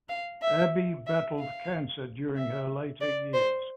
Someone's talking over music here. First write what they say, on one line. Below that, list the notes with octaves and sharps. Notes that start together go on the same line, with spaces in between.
Abi battled cancer during her later years.
F5
E5
E5
F5
E5
D5
C5